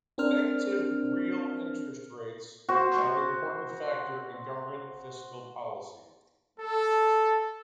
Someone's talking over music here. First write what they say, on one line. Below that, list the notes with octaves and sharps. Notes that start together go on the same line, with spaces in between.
Negative real interest rates are an important factor in government fiscal policy.
C4 D4 A#4 C5 F6
F#4 C5
A4